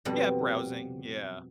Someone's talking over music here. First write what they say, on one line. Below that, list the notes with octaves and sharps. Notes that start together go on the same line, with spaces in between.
Yeah, browsing, yeah.
F2 B2 G3 F#5